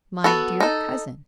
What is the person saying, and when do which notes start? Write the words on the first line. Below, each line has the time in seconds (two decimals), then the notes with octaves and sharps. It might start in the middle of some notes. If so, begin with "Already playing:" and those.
"My dear cousin."
0.24 B3 F#4 A4
0.60 D#4 A4